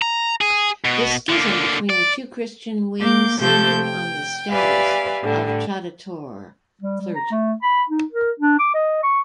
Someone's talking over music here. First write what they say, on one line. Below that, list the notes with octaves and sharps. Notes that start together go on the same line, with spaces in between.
The schism between the two Christian wings centered on the status of traditore clergy.
A#5
G#4
B2
D3 A#3
D5
A#3 D6 G6
C3 F3 A3 G4 A4 G6
G5
G4 B4 D5 E5 F5 G#5
A2 D3 G3
G3
G3
A#5
A3
B5
D#4
A#4
D4
D6
D#5
C#6